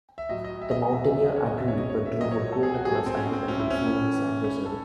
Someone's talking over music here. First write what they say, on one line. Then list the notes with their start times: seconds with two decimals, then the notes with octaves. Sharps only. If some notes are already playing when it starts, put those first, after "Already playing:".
The mountaineer agreed, but drove a goat across ahead of him, fooling his adversary.
0.18 E5
0.29 A2 F#3 D#5
0.44 D#5
0.62 E5
0.71 D#5
0.82 D#5
0.92 E2 C3 F#3 E5
1.09 E5
1.25 D#5
1.36 C#5
1.46 D#5
1.57 E2 C#3 E3 E5
1.68 C#5
1.78 D#5
1.89 C#5
2.05 E5
2.21 A2 F#3 D#5
2.31 C#5
2.42 C#5
2.52 A4
2.63 G#4
2.75 F#4
2.85 G#2 F#3 G#4
2.95 A4
3.06 C4
3.17 C#4
3.33 C4
3.48 A2 F#3 C#4
3.60 E4
3.70 C#4
4.13 A2 E3
4.44 C#4
4.66 A4